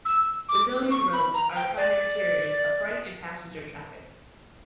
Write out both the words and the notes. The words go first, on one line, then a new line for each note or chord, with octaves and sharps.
Brazilian roads are the primary carriers of freight and passenger traffic.
E6
D6
C#6
B5
A#5
G5
D5